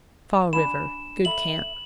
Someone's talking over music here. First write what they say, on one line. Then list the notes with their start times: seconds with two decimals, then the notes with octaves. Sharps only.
Fall River.--Good camp.
0.53 D4 G#5 B5 E7
1.25 A4 E5 B5 F#7